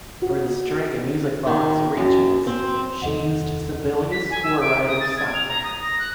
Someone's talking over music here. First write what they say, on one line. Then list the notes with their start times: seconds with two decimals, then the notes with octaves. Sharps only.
For the string and music box arrangements, she used Sibelius scorewriter software.
0.22 F#4
1.46 D#3
1.97 F#2
2.47 C4
3.02 F1 D#2 A4 D#5 F#5
4.12 B6
4.30 G#5
4.43 E6
4.62 D7
4.88 D#6
5.00 A6
5.17 G#6
5.34 F7
5.49 A#5
5.64 D#6
5.82 A#6
5.99 F#6